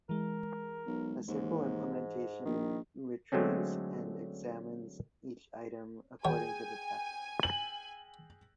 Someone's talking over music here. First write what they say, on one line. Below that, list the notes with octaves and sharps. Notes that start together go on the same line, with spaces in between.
A simple implementation retrieves and examines each item according to the test.
E3 G#3 A#4
B1
D#2 G#2
A#1 D#3
D3 F#3 G#3 A3 C4 C#4
G#4 C#5 G5 G#5
F#7